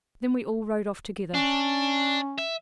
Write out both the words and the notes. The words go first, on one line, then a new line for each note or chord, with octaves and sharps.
Then we all rode off together.
C#4 D4
E5